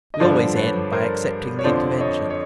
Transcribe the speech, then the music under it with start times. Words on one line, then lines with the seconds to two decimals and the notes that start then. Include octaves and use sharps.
We always end by accepting the intervention.
0.14 D#5
0.20 G2 D3 F3 C5 D5
0.56 B4 C#5
0.92 A#4 C5
1.59 C#5
1.64 F2 D3 F3 C5 D5
2.00 C#5 D#5
2.30 C#5